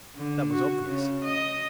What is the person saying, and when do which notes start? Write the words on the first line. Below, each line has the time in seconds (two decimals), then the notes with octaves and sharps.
That was obvious.
0.16 D3
0.52 F#4
0.86 C#3
1.24 D#5